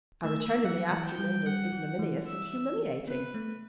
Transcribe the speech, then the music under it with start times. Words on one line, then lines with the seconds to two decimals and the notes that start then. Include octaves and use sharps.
A return in the afternoon is ignominious and humiliating.
0.24 A3 E5
0.64 F#3 F#5
0.91 E3
1.05 G5
1.19 G3
1.46 G3 F#5
1.72 F#3
1.99 E3
2.27 E5
3.08 B3 B4
3.34 A3